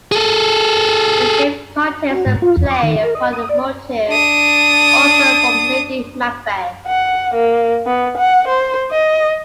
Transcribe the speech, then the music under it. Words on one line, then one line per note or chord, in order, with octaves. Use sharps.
The fifth contains a play upon a motif also from Lady Macbeth.
G#4 A4
F#4
G#2
F4
E2
D6
D#3
A#4
D#5
D#6
D5
D4 D#6
F#5
A#3
B3
F#5
C5
D#5